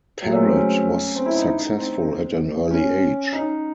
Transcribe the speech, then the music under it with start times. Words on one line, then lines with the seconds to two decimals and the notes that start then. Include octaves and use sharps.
Parrott was successful at an early age.
0.22 F#3
0.27 G#3
0.32 A3
0.42 C4
0.53 C#4
1.15 C4
1.26 E4
1.36 D#4
1.77 C4
2.71 C#4
3.33 D#4